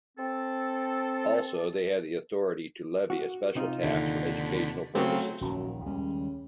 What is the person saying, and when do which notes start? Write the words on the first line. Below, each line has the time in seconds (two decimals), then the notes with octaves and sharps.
Also, they have the authority to levy a special tax for educational purposes.
0.17 C4 A4
3.10 F#4
3.55 C3 D#4 F4
3.82 D#2 D3 B6
4.95 C#3 F#3 A3 C4 F#4
5.41 D#1 A#1 F#2 D#3
5.85 D#2 C#3 G3 G#3